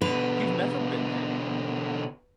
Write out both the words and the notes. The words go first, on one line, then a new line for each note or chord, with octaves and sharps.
you've never been there,
B2 D3 B4